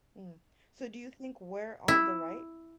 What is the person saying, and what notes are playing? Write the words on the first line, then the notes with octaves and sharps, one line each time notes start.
Mm. So, do you think we're on the right?
E4